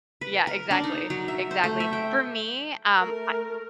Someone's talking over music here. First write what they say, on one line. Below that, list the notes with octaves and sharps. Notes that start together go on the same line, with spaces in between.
Yeah, exactly, exactly, for me, um, I
B4
A#4
D4
D#4
F#3
E5
C5
A3
E5
G5
A3 A#4